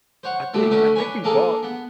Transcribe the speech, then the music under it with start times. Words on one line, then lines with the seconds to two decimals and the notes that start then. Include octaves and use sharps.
I thi I think we bought
0.23 C5 C#5 F#5
0.54 A#2 D3 G3 A3
0.71 D3 A3 C#4 F#4 B4
0.96 D4 B4 C#5 G#5
1.24 A#3 D4 G#4 A4
1.63 B3